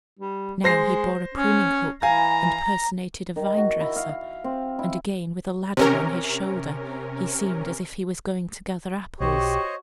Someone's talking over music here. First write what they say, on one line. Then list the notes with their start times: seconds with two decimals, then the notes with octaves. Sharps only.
Now he bore a pruning-hook, and personated a vine-dresser; and again, with a ladder on his shoulder, he seemed as if he was going to gather apples.
0.19 G3
0.64 G#3 C5 A#6 C7
1.35 C#4
2.03 E3 F5 G#5 A#5
3.36 D#3
3.57 F#4
3.81 E4
3.96 F5
4.09 F5
4.44 C4
4.79 E4
5.77 C3 C#4 A#4
9.20 B1 F#4 G4 C5 C#5 D#5